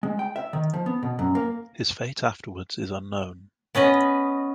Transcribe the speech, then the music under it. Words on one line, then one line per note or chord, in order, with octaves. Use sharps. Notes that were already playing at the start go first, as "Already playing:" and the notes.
His fate afterwards is unknown.
G#3
G5
E5
D#3
F3
B3
B2
F#2
A#3
B3 C#4 B4 D#5